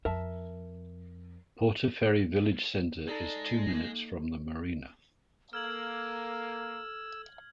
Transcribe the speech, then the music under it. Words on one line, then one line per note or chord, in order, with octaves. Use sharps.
Portaferry village centre is two minutes from the marina.
F2 A#4 E5 A5
G#3 D#4 A4 D5
A#3
A#3 A4 E6 F6 G#6 F#7